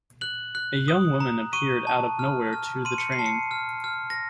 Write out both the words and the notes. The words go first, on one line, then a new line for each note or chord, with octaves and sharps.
A young woman appeared out of nowhere to the train.
F#6 F#7
F#6
D#6
A#5
C#6 D#7
A5
F6
F6
C6 D#7
C#7
C7
A5
C#7
F6
F6
A#6